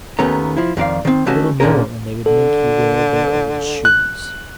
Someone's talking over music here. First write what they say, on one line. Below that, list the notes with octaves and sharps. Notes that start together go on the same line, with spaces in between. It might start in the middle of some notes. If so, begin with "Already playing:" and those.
A little more, and they would make you wear their old shoes.
D#2 D#3 A3 B3 C#4 A#5
F3 E4
F2 D#3 D5 F5
D#3 C4
E3 A3 C#4 F#4 D#5 A5
A#2 D3 A#3 C#4 G#4 A#4
D3 A4
F#6